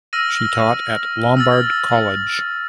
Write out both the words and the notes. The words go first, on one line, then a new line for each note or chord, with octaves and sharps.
She taught at Lombard Collage.
E6 F6 A#6 D#7
E6 F6 A6